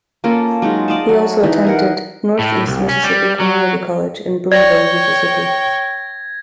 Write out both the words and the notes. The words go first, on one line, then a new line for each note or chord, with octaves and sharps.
He also attended Northeast Mississippi Community College in Booneville, Mississippi.
A#3 C#4 F4 A4
F#3 G#3 D#4 F4
D5 D#5 F5 A5
F#3
E3 D#4
G#4 A#4 F#5
A2
C2
C#4
G3
F#3
C#5 D5 G5 G#6 A#6